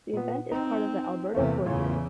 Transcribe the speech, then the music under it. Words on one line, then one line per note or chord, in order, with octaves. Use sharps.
The event is part of the Alberta Tour Series.
A#2 B3
C4 D#4
E2 C3 E3 A3 A#3
E2 A2 C#3 F4 C#5